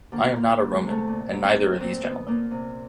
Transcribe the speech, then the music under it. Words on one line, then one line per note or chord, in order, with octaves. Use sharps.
I am not a Roman, and neither are these gentlemen.
D2 A#3
D2 A#3
D2
G#3
C3
A3
A#2
F#3
C4
A#2
A#2 C4
A#2 B3
A#2 A#3
C3